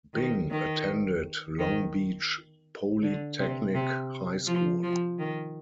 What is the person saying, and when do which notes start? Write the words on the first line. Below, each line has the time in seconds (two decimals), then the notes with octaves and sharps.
Bing attended Long Beach Polytechnic High School.
0.14 D#3
0.50 D#3
1.58 D#3
3.02 D3
3.39 C3
3.74 C3
4.47 F3
4.83 F3
5.19 D#3